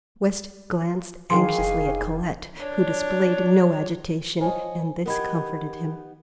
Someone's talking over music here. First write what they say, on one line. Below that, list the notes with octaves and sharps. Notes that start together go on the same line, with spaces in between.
West glanced anxiously at Colette, who displayed no agitation, and this comforted him.
D#3 E3 G#4 F5 C6
F1
D4 C#5
F3 C5 C#5 D#5 G#5
B3 D#4 G4 A#4 B5 G#6